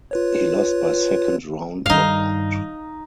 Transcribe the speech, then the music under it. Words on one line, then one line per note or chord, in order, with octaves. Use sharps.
He lost by second-round knockout.
F4 B4 C#5
G2 D#3 D#4 F5